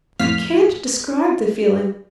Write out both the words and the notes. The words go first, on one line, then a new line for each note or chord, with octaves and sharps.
I can't describe the feeling.
F2 A2 F5 F6 B6